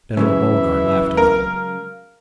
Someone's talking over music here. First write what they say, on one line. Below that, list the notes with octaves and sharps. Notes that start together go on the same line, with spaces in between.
General Beauregard laughed a little.
C#3 E3 F#3 G#3 E5
A#4 F5